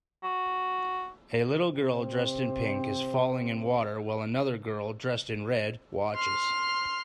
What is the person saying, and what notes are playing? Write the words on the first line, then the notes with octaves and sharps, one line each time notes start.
A little girl dressed in pink is falling in water while another girl dressed in red watches.
F#4
C3 C4
C6 F6